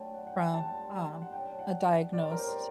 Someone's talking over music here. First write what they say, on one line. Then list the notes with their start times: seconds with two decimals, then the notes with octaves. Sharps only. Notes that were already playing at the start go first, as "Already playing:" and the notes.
from, um, a diagnosed
Already playing: D3 F#3 A3 G5 A5
0.14 F#5
0.27 F#5
0.33 G5
0.54 A#2 G3 D4 A5
1.22 F#5
1.32 F#3 A3 D4 F#4 G5
1.59 F#5
2.12 A2 G3 C4 D5
2.31 A#4
2.39 C5